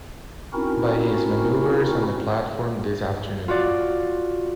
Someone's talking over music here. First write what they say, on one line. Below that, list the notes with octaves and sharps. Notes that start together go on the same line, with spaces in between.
By his manoeuvres on the platform this afternoon.
C4 C#4 D#4 E4 F#4 A#4
F4 F#4 D5